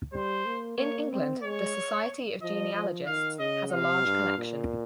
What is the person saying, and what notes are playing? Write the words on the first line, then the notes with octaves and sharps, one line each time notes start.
In England, the Society of Genealogists has a large collection.
G3 C5
A#3
A#3 C#5
C4
G#3 C#5
F3 D#5
F3
D#3 F5
C#3 D#5
C3 F5
G2
A#2